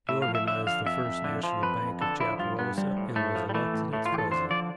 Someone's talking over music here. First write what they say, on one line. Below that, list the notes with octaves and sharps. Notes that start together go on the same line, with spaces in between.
He organised the First National Bank of Chaparosa, and was elected its president.
A2 E5
F5
F3
E5
D3 E5
F3 F5
F2 E5
F2
D3
F3
F2 B4
F2
D3 A4
F3 E4
G2 F4
G2 B3
F3 G3
A2
A2 A3
F3
G3
E3 A3
A2
A2 A3
F4
E3 G4
A4
D3 C5
F3 D5